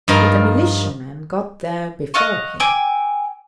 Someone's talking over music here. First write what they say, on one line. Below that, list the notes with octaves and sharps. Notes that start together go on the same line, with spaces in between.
But a militiaman got there before him.
G2 F3 D#4 A#4
D#5 F5 F#5 C#6
G5 G#5 D6 E6